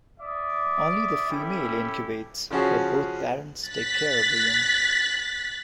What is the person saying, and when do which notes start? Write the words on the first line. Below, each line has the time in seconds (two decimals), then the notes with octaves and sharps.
Only the female incubates, but both parents take care of the young.
0.21 D5 E5 D6 D#6
1.30 C#4 E4 G4 A4
2.51 C#3 F3 C#4 F#4 G#4
3.67 F#6 A6 B6